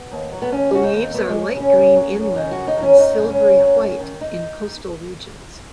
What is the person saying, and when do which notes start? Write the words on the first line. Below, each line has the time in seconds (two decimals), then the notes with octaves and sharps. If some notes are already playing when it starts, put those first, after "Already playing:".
The leaves are light green inland, and silvery-white in coastal regions.
Already playing: B3
0.11 D#2
0.32 F#3
0.42 B3
0.52 D#2 C#4
0.72 C#3 F#4
0.83 D#4
0.93 D#2
1.14 F#3 B3
1.29 G#3
1.35 F#2
1.55 C#3
1.60 C#4
1.75 F#2
1.96 F#3
2.16 F#2
2.36 C#3 D#4
2.51 F#4
2.57 F#2
2.67 D#4
2.77 F#3
2.82 C#4
2.98 F#2 D#4
3.18 C#3
3.28 C#4
3.39 F#2
3.59 F#3
3.80 F#2
4.00 D#3
4.21 D#4